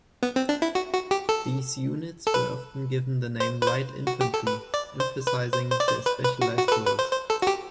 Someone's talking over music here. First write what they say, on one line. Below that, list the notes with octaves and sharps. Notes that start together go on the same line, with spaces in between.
These units were often given the name "light infantry", emphasising their specialised roles.
B3
C4
D4
E4
F#4
F#4
G4
A4
A4
B4
C5
B4
C5
F#4
G4
A4
B4
D5
C5
B4
C5
C5
D5
C5
B4
B4
F#4
F#4
B4
A4
B4
C5
C5
A4
F#4
G4